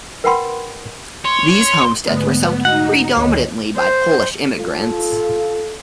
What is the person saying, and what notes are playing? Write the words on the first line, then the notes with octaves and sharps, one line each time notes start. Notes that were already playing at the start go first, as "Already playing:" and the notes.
These homesteads were settled predominantly by Polish immigrants.
A#4 B4 F#5 G5 B5 C6
C#5 C6
G#2 D3 A3 B3
G#3
B3
D#4 F#4 F#5
D2 D#3 C#5 D#5
C5
F4 A4